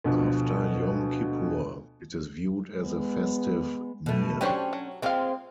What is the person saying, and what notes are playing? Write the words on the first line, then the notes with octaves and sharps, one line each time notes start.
After Yom Kippur, it is viewed as a festive meal.
D2 B2 F3
G#3 B3
B2 A3
F#3 C#4 D4 G4 C5 C#5
F#3
G#3 A#3 C4 F4 F5